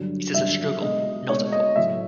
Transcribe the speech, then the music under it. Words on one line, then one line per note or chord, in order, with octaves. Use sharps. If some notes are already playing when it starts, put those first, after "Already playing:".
It is a struggle, not a thought.
Already playing: G2 D3 F#3
G2 D3 F#3 E5
B2 G#3 D#5
B2 G#3 C#5
D#5
A2 F#3 E5